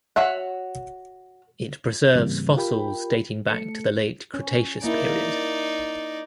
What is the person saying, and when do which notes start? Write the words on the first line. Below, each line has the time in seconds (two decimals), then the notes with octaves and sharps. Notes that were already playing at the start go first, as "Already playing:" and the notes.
It preserves fossils dating back to the late Cretaceous period.
0.16 F#4 C#5 E5 F#5
2.16 G#2 C#3 E3 G3 A#3 C4
2.56 F4 G4 A#4 G5 B5
3.48 A3 A4 C#7
4.34 C#4
4.84 A#3 D#4 E4 D5